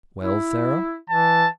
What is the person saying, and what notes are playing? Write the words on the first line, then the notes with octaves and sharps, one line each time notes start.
"Well, Sarah!"
E4
E3 A5